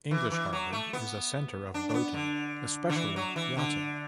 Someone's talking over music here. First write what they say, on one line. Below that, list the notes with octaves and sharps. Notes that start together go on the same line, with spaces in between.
English Harbour is a centre of boating, especially yachting.
E3
E3
F#3
A3
B3
D4
D4
B3
D3
D3
E3
F#3
E3
D3